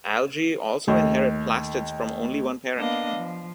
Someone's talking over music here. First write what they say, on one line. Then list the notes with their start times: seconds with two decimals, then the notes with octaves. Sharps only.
Algae also inherit plastids from only one parent.
0.88 D#2 A3
2.76 A#3 B3 D4 D#5 F5
3.15 F3